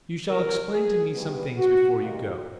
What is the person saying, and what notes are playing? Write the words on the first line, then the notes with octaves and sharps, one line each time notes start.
"You shall explain to me some things before you go."
E2 C3 E3 G3 A#4
G#4
G2 E3 G3 B3
F#4
C3 D#3 G3 F4